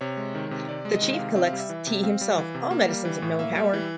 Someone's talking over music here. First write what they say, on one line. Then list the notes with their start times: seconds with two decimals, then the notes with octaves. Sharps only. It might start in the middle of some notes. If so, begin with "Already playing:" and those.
The chief collects t himself all medicines of known power.
0.01 C3 C#5
0.17 G#3
0.35 D#3
0.51 C3
0.69 C3 D5
0.85 G#3
0.91 D#5
1.02 D#3
1.14 C3 F5
1.36 C4 E5
1.47 F5
1.53 G3
1.59 E5
1.69 E3
1.87 C3
2.03 C4 F5
2.21 G3
2.38 E3
2.55 C3
2.71 A#3
2.88 G3
3.05 E3
3.22 A2
3.39 A#3 E5
3.56 G3
3.73 E3